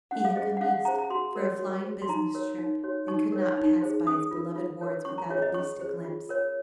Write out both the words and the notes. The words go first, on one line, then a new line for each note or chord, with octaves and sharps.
He had come East for a flying business trip, and could not pass by his beloved wards without at least a glimpse.
C#4 F#5
F5
G#4 C5 D#5
F#5
C#4 F5
F#5
G#4 C5 A#5
A#5
F#4 C6
A#4 C#5
F#4
C5
C6
D#4 A#5
A#4 C#5
D#4
F#4 C#5
D#4 C#6
A#4 C#5
D#4
G#4 C5
C#4 D#6
F4 A#4
F4
A#4 C#5
C#4 C#6
A#5
F4 G#4 C#5
D#5
C#4 C#6
G#4 C5
F4
A#4 C#5